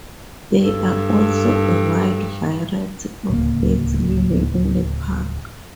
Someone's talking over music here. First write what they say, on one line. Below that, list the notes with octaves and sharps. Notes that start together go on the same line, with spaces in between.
There are also a wide variety of birds living in the park.
G2 A4
D1 C#2 A#3